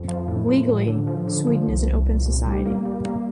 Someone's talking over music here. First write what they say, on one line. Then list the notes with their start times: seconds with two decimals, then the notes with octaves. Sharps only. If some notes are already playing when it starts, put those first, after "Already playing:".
Legally, Sweden is an open society.
Already playing: F2
0.08 F3
0.28 A2
0.48 F3
0.68 A2
0.88 D3
1.07 F3
1.27 D3
1.47 F3
1.68 C2
1.87 C2
2.06 A#2
2.26 C2
2.46 G3
2.65 A#3
2.85 G3
3.05 A#3